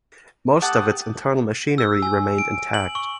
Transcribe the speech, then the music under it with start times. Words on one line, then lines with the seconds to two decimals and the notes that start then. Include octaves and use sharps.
Most of its internal machinery remained intact.
0.62 A3 G4 F#5 A5 D6 D#6
1.78 E6
2.02 G#5
2.38 D7
2.74 F#7
2.95 C#6